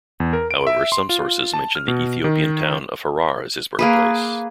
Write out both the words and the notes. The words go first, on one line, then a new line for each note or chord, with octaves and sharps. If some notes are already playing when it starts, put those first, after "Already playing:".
However, some sources mention the Ethiopian town of Harar as his birthplace.
E2
A#4
D7
E5
C6
F4
A5
F6
B2
D#3
A#3 G#4 B4